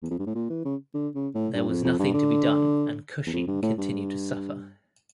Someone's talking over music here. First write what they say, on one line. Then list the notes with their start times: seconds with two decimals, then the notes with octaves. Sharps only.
There was nothing to be done and Cushing continued to suffer.
0.02 E2
0.10 F2
0.19 G2
0.26 A2
0.35 A#2
0.50 E3
0.65 C#3
0.94 D3
1.15 C#3
1.35 A2
1.54 G2
1.69 F2
1.84 F2
1.99 G2
2.14 D3
3.27 E2
3.33 F2
3.47 G2
3.63 A2
3.78 G2